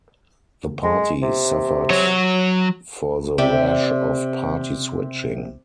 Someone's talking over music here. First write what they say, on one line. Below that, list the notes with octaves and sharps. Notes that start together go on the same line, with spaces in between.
The party suffered for the rash of party-switching.
G#3
C3
F#3 C#5
C3 G4 D5 E5